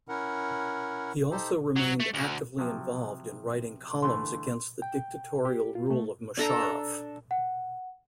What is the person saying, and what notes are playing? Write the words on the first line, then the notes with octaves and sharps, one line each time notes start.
He also remained actively involved in writing columns against the dictatorial rule of Musharraf.
C#4 E4 A#4 F#5
D#4 G4 A4 C5
F#3
A3
D2
C3 F3 F#3
D3 E3 A3 C6
G5
G4
F4
A3
D4 A4 A#5
F#5